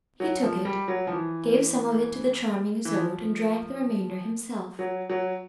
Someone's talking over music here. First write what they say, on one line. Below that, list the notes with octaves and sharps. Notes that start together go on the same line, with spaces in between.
He took it, gave some of it to the charming Isoude, and drank the remainder himself.
F#3
F3
G3
F#3
F3
E3
E3
F3
F#3
F#3